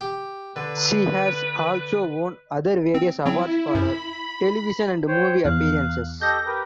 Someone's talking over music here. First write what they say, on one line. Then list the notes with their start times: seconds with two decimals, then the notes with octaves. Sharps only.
She has also won other various awards for her television and movie appearances.
0.01 G4
0.56 D3 B4
2.94 C4
3.26 F#3 C4 E4
3.75 F#2 B5
5.08 C5 C#5 G5
5.45 E2 F5 F#6
6.21 G4 A4 D#5 G6 A#6
6.46 G4 A#4 B4